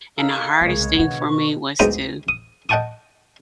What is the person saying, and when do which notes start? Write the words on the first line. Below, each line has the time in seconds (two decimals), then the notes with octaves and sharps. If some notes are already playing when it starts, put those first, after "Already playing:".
and the hardest thing for me was to
0.17 D#4 A4 A#4 F5
0.61 C2 C#3 G#3 A#3 C#5
0.96 B2 D#3 D4 F#5
1.28 C#6
1.79 D2 G#2 B3 G5 A#5 D#6
2.28 D#6
2.69 D#5 F#5 G5 A5 C#6 D#6